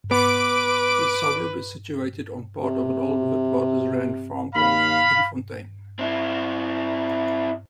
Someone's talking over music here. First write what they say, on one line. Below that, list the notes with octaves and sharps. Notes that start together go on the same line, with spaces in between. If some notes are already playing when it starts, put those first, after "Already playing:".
The suburb is situated on part of an old Witwatersrand farm called "Driefontein".
B3 B4 D6 D7
C3
D#2 F5 B5
C4 E4